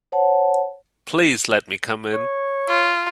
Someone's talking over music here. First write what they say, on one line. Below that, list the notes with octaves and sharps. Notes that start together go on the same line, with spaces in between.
Please let me come in.
C5 C#5 F#5 A5
C#5
F4